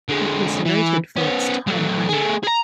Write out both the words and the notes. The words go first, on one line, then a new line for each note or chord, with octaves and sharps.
It was noted for its thyme honey.
D3 G#3
E3
B3 C#4
F#3 A3
A3 G#4
G#4 A#5